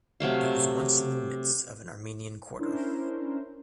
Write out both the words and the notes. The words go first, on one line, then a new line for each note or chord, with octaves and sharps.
It was once in the midst of an Armenian quarter.
C3 F#3 A3 F5
C#4 D4 E4 A#4 C5